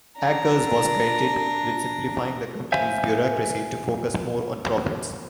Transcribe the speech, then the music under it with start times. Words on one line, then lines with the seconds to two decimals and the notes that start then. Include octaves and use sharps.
Akers was credited with simplifying the company's bureaucracy to focus more on profits.
0.18 D4 A#5
2.72 C5 E5 F5 G#5